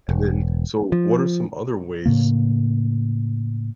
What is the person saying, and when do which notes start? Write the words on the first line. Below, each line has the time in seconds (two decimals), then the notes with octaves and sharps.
And, then, so what are some other ways,
0.09 E1
0.92 F3
2.06 A2 C#3 A#3